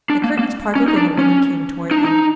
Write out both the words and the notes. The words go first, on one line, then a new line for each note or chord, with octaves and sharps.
The curtains parted and a woman came toward them.
D4
A#3
A#3
C#4
D#4
D4
C#4
D#4
D4
D#4